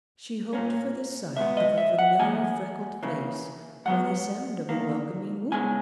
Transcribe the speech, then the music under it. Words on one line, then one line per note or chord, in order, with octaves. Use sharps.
She hoped for the sight of a familiar freckled face or the sound of a welcoming whoop.
A#2 A#3 C#4
B2 G#3 B3 E5
D#5
E5
F#5
F#2 C#3 E3 A#3 G#5
C#3 E3 A#3
G#2 F#3 B3 F#5
E2 D#3 A#3
C#3 G#3 B3 G#5